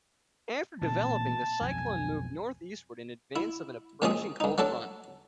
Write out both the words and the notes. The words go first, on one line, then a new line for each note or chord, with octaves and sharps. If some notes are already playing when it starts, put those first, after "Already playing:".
After developing, the cyclone moved northeastward in advance of an approaching cold front.
A1 A#2 C4 A5
B1 F2 G#5
E4
F#2 A#2 F3 G#3 C4 D#6
G2 D#4
F#3 A3 D4 A4